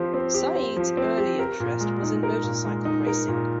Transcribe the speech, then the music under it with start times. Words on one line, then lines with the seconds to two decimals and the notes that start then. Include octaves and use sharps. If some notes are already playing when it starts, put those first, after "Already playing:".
Said's early interest was in motorcycle racing.
Already playing: F3 C4 G4 C5
0.14 C4
0.34 G4
0.55 C5
0.77 F3
0.97 C4
1.18 G4
1.39 A#4
1.60 A#2
1.80 G#3
2.03 D#4
2.23 A#4
2.43 A#2
2.64 G#3
2.85 D#4
3.07 A#4
3.28 A#2